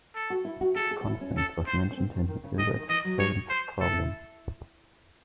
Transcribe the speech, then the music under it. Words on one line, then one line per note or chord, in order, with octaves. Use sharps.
The constant was mentioned in Hilbert's seventh problem.
A4
F#4
E4
F#4
G#4 A4
G#4
F#4
E4
C#4
A4
C5
C#4
C4
D#3
D#3
C#3
A2 D#5
C3
D#3
E3 D#5
F#3
C#5
C5
E4 A4